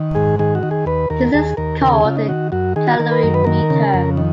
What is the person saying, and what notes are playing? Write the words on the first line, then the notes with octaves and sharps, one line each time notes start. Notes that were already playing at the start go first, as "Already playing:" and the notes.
This is called a calorimeter.
Already playing: D#3
G#2 G#4
D#3 G#4
F#4
D#3
G#4
D#2 B4
D#2 A#4
D#2 G#4
D#2 A#4
C#3 A#4
G#4
C#3 F4
D#4
D#3 F#4
F#2 F#4
D#3 G#4
F#4
D#3 A#4
B4
F#2 A#4
B4
D#3 A#4
C#3
F2
D#3